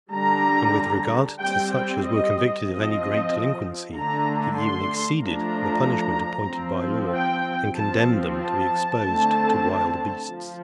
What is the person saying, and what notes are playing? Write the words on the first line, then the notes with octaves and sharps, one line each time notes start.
And with regard to such as were convicted of any great delinquency, he even exceeded the punishment appointed by law, and condemned them to be exposed to wild beasts.
D3 G3 D4 A#5
G3 C4 G5
G5
D#5
F3 C4 D#5
D3 A3 D4 A#5
C6
F3 A3 D4 A#5
F3 C4
G5
F3 C4 A5
A5
D3 A3 C4
F3